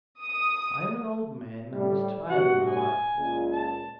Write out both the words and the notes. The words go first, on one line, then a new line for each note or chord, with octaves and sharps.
I am an old man, and was tired of my life.
D#6
A2 G3
G2 C3 F#4 F#5
G#5
C#2 A#2
A5